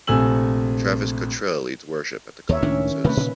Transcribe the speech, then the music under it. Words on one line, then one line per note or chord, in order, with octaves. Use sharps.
Travis Cottrell leads worship at the conferences.
A#1 C3 A3 G#5 E6 F#7
D#2 A#4 C#5 E5
C#2 A2 D#3 C#4 D4
C3 G3 A3 B4
A#2 C#3